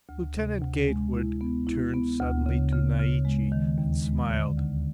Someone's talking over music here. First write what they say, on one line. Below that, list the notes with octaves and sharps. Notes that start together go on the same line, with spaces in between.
Lieutenant Gatewood turned suddenly to Naiche and smiled.
D2
C3
D2
G#3
E4
B3
E4
B3
D2
C#3
C#3
C#3
G#3
D#3
D#2
G#3
D3
D2